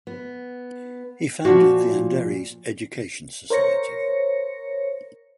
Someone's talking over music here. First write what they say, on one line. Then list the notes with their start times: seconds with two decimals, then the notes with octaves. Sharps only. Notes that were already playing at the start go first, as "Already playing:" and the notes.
He founded the Andheri Education Society.
0.07 B3
1.45 A#2 F3 F#4
3.50 A#4 C5 C#5 A#6 C#7